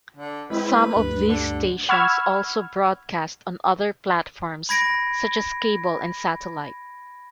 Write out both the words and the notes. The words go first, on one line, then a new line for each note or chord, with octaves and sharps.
Some of these stations also broadcast on other platforms such as cable and satellite.
D3
G#3 C4 E4 B4
D2 G2
D3
F#5 B5 C#6 E6 F6 G#6
B5 G#6 A#6 D7